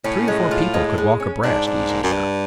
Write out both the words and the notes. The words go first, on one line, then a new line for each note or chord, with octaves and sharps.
Three or four people could walk abreast easy enough.
A2 C#4
G#3
F4
G#3
G#3
C#4
G#2 D4
D4
A#3
F#2
G2 D4